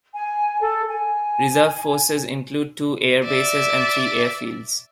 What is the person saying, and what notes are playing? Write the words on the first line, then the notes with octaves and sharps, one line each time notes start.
Reserve forces include two air bases and three airfields.
G#5
A4
G#5
D5 E5